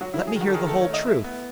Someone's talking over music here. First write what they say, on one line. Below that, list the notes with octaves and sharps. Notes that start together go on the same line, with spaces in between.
"Let me hear the whole truth."
F#3 F#4
E4
F#3
G#4
D#3
F#4
A4
D#3 G#4
A4
A3
C#5
A3 D#5
E4 E5
B3